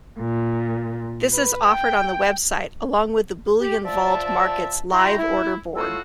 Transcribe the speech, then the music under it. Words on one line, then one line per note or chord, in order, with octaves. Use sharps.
This is offered on the website along with the BullionVault markets' live order board.
A#2
B4
G5
G4
F3 D5 E5 A5
E4 F#4 G5 A#5 C6
E4
A2 F4 F#4 F5 E6